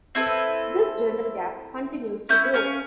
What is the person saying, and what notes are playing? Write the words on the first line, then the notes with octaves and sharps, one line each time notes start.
This gender gap continues to grow.
C4 E4 A4 B4
C#4 E4 G6
C#4 F5 G#5